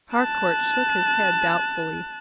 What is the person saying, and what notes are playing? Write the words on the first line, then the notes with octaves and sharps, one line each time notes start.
Harcourt shook his head doubtfully.
A5 F#6